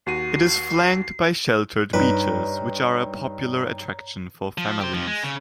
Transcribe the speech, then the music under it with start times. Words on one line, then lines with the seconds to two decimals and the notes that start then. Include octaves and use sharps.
It is flanked by sheltered beaches which are a popular attraction for families.
0.07 D#2 F#4 C7 D#7
1.93 G2 D#4 B4 C#5 A#5
4.58 F3
4.80 G4 C5
4.94 F2 F3
5.07 G#3
5.23 C#3